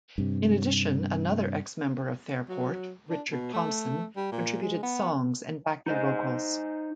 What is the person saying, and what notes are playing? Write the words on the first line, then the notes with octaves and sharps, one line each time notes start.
In addition another ex-member of Fairport, Richard Thompson, contributed songs and backing vocals.
G2 C3
F#3
D4
B2
A3
G3
A#2
G#3
B3
D#4 C5 D#5